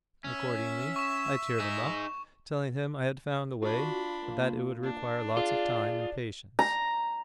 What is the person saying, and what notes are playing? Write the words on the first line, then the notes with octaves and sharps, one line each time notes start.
Accordingly, I cheered him up, telling him I had found a way, but that it would require lots of time and patience.
C#4 E5
C#6 E7
D#4 G#4
D4 F4 F#4 B5
A#3
D4
F4 G#4 D5
A#5